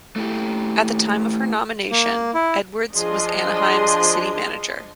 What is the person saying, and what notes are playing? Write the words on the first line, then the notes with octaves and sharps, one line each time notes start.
At the time of her nomination, Edwards was Anaheim's City Manager.
A3 E4 G4
A#3
E4
F3 D4 G#4 D#5 C6